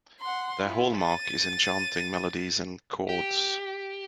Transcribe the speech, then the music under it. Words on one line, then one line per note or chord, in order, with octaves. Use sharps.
Their hallmark is enchanting melodies and chords.
F#5 C6
E4 F4
A6 D#7
G4